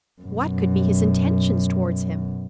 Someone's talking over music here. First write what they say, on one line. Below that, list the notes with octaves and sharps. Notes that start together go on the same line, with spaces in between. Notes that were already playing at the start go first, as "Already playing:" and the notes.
What could be his intentions towards him?
F#2 B2